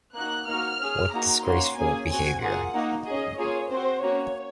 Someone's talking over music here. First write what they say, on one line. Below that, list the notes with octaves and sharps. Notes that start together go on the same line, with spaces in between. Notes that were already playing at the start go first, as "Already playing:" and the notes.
What disgraceful behaviour!
A#3 D#4 F#4 F#6
A#3 D#4 F#4 F6
C#4 G#4
A#3 D#4 F#4 A#5
A#3 C#4 F#4 C6
A#3 C#4 G#4 G#5
C4 F#4 G#5
A#3 F4 G#4 F#5
A#3 D#4 F#4
C#4 G#4 D#5
A#3 F4 G#4 C#5
C4 F#4 C5
A#3 C#4 F#4 C#5